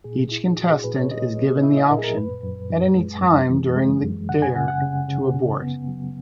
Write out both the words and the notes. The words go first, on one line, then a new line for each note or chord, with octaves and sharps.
Each contestant is given the option, at any time during the dare, to abort.
A#2 G#4
E4
A#2 F#4
G#4
A#2 B4
C#5
A#2 D#5
A#3
E4 E5
D#5
A#2 A#4
G#4
A#4
F#2 B4
F#2
F#2
G#3
F#2
E3
G#3
F#2
C#3 F#5
G#5
C#3 F#5
F#5
C#3
C#3
C#3
B3
F#3